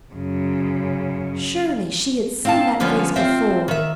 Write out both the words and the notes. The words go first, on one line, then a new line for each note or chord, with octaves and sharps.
Surely she had seen that face before!
F#2 C#3
C4 F5 A5
D3 F3 G3 B3 C#4
C4 F4 E5
D#3 E5